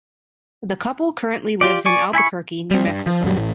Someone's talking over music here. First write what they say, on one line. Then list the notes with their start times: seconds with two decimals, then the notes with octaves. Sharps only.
The couple currently lives in Albuquerque, New Mexico.
1.61 F4 G4 D5
1.85 D5 G#5 C#6
2.13 E4 G#5 B5 C#6
2.71 G3 C4
2.87 G2
3.06 F3
3.23 F#2 A#2 F#3 G3
3.37 A1 A2